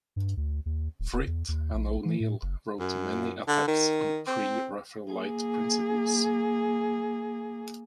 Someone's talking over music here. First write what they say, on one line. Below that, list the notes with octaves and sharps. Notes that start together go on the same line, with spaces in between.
Frith and O'Neil wrote many attacks on Pre-Raphaelite principles.
G2
D2
D#2
D1
D#1
E2
D#2
A#1
E3
A2
F#1
F#2
D3
D#3
C4
A#3 G#4